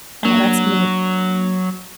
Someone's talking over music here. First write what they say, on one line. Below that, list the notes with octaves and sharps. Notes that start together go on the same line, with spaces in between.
Oh, that's neat
F#3 A#3 D4